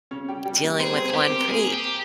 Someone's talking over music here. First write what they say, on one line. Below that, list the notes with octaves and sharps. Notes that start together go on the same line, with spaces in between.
dealing with one pretty
C#3 C#4
G3 G4
G3 G4
A#3 A#4
C4 G#4 C5
C4 C5
G#4
C4 G4 C5
A#4
C5
A#3 G#4 A#4
G4